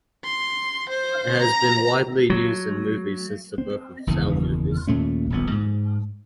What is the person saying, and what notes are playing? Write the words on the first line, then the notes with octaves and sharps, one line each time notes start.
It has been widely used in movies since the birth of sound movies.
C6
C5
A#5
F#3
C4
F#1 E2 D#3
D#2 A#2 A3 C#4
D#1 A#1 B3
G#2